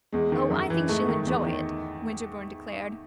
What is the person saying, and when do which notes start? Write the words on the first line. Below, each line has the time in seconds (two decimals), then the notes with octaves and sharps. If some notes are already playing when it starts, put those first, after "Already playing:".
"Oh, I think she'll enjoy it!" Winterbourne declared.
0.12 E2 G#3
0.32 D#3
0.50 F#2
0.70 E3
0.89 G#2 A3
1.09 D#3
1.26 E2
1.47 D#3